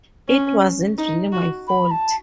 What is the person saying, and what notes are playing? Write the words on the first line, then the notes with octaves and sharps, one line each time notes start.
It wasn't really my fault.
C#4
D#4
F#4
B5
A5